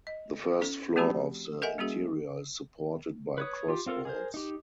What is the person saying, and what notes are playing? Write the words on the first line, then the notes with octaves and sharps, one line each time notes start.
The first floor of the interior is supported by cross vaults.
D#5
C#4 A4
F3 A3 C4 F#4 G4 B5
A4 A#4 D#5 E5 F#5 G#5
G3 A#3 C#4 F#4 G#4
B4 C#5 D#6
F4 G4
C4 F4 A4 A#4
G#4 A#4 C5
D#4 G4